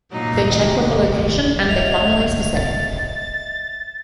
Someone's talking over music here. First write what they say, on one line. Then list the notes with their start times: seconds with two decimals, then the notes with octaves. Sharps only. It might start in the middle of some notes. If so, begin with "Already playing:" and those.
They check with the location and they finalise the same.
0.12 A#2 F#3 D#4
0.51 D2 C3 D#3 G#3 D#5
1.68 D#5 E5 G#6 F7
2.55 A6